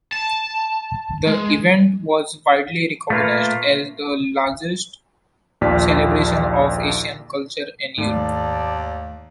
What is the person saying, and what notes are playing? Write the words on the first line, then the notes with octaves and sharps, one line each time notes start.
The event was widely recognised as the largest celebration of Asian culture in Europe.
A5
G#3
A#2 A3 A#3 F4 B4
A#1 D#2 F4 D5 F6 B6
D#2 G#2 D#3 A3 D5 A5